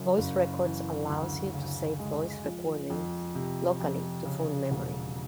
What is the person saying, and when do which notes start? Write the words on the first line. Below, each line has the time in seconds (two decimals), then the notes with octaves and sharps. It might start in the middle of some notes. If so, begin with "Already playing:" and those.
Voice Records allows you to save voice recordings locally to phone memory.
Already playing: F#1 F#2 C#3
0.18 F#1
0.64 E3
1.09 D2
1.54 C#3
1.99 G#3
2.44 F3
2.90 F2
3.35 C3
3.80 F2
4.25 C#3
4.71 E1